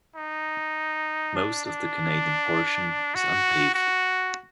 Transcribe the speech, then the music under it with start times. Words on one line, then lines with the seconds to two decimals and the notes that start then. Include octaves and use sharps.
Most of the Canadian portion is unpaved.
0.16 D#4
1.36 D4
1.65 D4
3.15 F#4
3.74 F#4